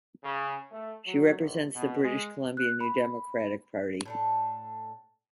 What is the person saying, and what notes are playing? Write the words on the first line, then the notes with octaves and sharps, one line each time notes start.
She represents the British Columbia New Democratic Party.
C#3
A3
F#3
A#1
B2
G#3
F#6
B5
A2 D4 A4